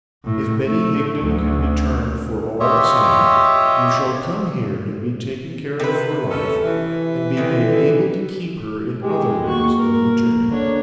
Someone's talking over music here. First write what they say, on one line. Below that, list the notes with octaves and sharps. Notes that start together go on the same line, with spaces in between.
If Betty Higden can be turned for all the same, you shall come here and be taken care of for life, and be made able to keep her in other ways than the turning.'
A2
A3
D2
F4 G4 C#5 D#5 E5
C3 B4
C#4 A4
E3
D3 D#3
G#3 G4
A#3 F#4 C#6
A#4
D3 D4 C#5